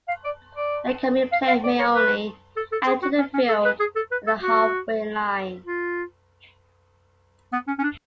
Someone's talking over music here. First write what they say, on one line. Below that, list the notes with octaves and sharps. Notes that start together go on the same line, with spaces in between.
The incoming player may only enter the field at the half-way line.
F5
D5
D5
F5
F5
D5
C#5
B4
A4
A4
G#4
F#4
C#4
C#4
A4
B4
G#4
A4
B4
A4
F#4
F4
B3
C#4
C#4
D4